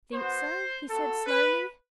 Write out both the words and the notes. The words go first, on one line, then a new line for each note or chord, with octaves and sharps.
"Think so?" he said slowly.
B3 F#4 C5
C4 F#4 A4
B4